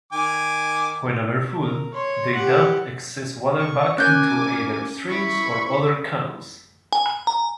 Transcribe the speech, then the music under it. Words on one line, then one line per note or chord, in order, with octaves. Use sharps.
When over full, they dump excess water back into either streams or other canals.
D#3 G#5 D6
A#4
C#5 C6
G4 F#5
C#6
A#3 C#4 G#5 D6 F#6 G6
E4 B5 C#6
G#5
A#5